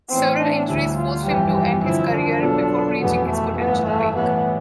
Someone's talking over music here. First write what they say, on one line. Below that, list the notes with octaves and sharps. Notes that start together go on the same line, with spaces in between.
Several injuries forced him to end his career before reaching his potential peak.
A2 E3 B3 C4
D4
D2 D3 G3 E4
F4
G1 F2 E3 G4
G4
F2 D3 F3 C4 E4
D4
B1 B2 B3 F4 A4
F1 E2 B2 B3
A3
G1 G2 E3 A3 B3
A3
A2 E3 G3 B3